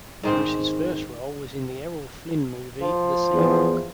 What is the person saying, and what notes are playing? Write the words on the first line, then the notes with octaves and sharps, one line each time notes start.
Bruce's first role was in the Errol Flynn movie The Sea Hawk.
G#2 D#3 C4
F3
E2